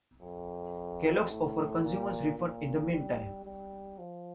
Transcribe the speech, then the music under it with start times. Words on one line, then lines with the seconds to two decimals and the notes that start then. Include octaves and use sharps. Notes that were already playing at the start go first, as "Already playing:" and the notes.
"Kellogg's" offered consumers refunds in the meantime.
0.22 F2
1.30 A2
1.83 A#2
2.38 A#2
2.91 G3
3.45 G3
3.99 F3